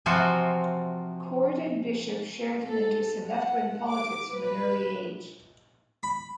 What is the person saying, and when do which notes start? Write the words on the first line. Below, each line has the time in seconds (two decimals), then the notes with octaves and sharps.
Coard and Bishop shared an interest in left-wing politics from an early age.
0.06 C3 E3 F3 F4 F#4
2.63 A4
3.26 F#5
3.88 D6
4.32 B4
6.03 B5